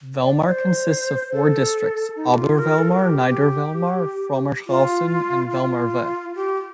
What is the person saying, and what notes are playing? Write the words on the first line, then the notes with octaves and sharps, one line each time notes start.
Vellmar consists of four districts: Obervellmar, Niedervellmar, Frommershausen and Vellmar-West.
D5
C5
A4
D#4
G4
F4
A#4
A4
F4
G4
F4
F4
G4